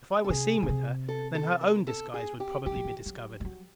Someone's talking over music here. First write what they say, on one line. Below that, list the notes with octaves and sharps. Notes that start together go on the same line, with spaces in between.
If I were seen with her, then her own disguise would probably be discovered.
A4
C3 G#4
B2
C3
A4
A4
A#4
A4
G#4
G4
E3 G4
F3
E3
F#3
G3
F#3